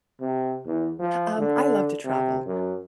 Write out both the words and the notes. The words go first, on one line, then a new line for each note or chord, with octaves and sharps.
Um, I love to travel.
C3
E2
F3
D3
C3
F#2